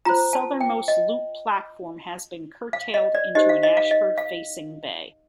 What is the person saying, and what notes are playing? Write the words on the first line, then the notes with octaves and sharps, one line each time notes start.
The southernmost loop platform has been curtailed into an Ashford facing bay.
F4 C5 A#5
A5
G5
D#5
F5
D#5
D5
D#4 G4 C5 D#5
F5
D#5
F5
D#5
F5